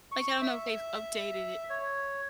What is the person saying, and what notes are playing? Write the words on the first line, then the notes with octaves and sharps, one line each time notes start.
Like, I don't know if they've updated it
C#6
E5
C#5